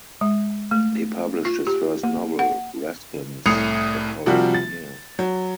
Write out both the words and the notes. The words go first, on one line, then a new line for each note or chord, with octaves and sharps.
He published his first novel "Raskens" the following year.
G#3
A3
F4
G4
A#3
F#5
C2 A2 D#6 C7 C#7 F7
C3 F3 G3 F4 F#4
A6
F#3